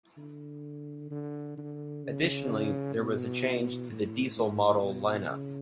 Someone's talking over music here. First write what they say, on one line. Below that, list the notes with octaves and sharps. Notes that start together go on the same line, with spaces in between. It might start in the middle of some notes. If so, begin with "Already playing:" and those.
Additionally there was a change to the diesel model lineup.
D3
D3
D3
C#3
B2
A2
A2
B2
C#3